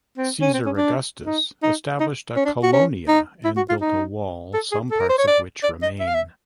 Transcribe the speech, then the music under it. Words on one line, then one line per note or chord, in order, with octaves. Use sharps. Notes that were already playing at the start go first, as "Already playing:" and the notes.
Caesar Augustus established a "colonia", and built a wall, some parts of which remain.
C4
C#4
C4
C#4
D4
D#4
D#4
D#4
C#4
D4
F#4
C#4
D#4
E4
F#4
F4
D#4
A4
G#4
A4
A#4
C5
C#5
D5
D5
D#5
E5
F5
E5